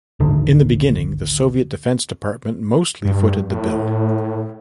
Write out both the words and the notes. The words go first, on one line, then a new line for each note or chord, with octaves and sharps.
In the beginning, the Soviet Defense Department mostly footed the bill.
G#1 D2 D3 D#3
G2
A2